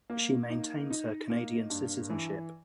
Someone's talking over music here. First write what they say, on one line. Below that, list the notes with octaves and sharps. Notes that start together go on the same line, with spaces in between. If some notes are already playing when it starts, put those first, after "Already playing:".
She maintains her Canadian citizenship.
A#3
D#4
D#4
A#3
G2
E3